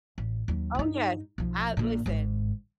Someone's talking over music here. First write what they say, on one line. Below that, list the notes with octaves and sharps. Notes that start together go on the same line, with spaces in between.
Oh, yes. I listen,
A1
D#2 F#3
G2 D#4
B1 F3
A#1 A#2
G#1 G#2